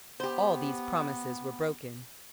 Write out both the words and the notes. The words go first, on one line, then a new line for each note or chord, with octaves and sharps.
All these promises were broken.
B3 G4 C5